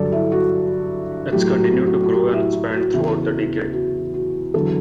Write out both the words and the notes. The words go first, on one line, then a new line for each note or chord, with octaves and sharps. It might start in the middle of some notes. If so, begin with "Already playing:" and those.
It continued to grow and expand throughout the decade.
Already playing: G2 D3 F#3 A4 D5
E4
F#4
A2 F#3 G4
F#4
F#4
F#4
G4
E4
E4
F#4
E2 C#3 E3 E4
F#4
F#4
E2 D3 F#3 A4